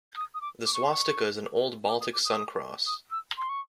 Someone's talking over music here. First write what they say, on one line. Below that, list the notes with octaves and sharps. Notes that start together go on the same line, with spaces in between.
The swastica is an old Baltic sun cross.
D#6
D#6
D6
D6
C#6
C6
C#6
D6
D#6
D6
D#6
D#6
E6
C6
C#6